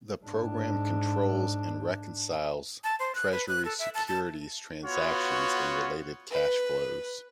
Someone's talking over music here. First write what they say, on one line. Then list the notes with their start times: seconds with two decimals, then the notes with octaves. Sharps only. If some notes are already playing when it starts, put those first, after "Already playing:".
The program controls and reconciles Treasury securities transactions and related cash flows.
0.24 G#2 D4
2.84 A5
3.00 C5
3.15 F#6
3.32 B4
3.48 F#6
3.65 A4
3.79 E5
3.95 A5
4.08 A5
4.85 B3 F4 F#4 C#5
6.31 B4